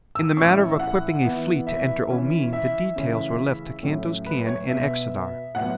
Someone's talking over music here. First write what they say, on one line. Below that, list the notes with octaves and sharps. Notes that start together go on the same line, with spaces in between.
In the matter of equipping a fleet to enter Omean the details were left to Kantos Kan and Xodar.
E6
A2 E3 C#4 C#6
F#5
E3 B3
E5
E3 C#4
E5
C#3 E3 A3 C#4
A2 F#3 A3 C#4
B4
C#5
B2 B3 E5
A2 F#3 B3 F#5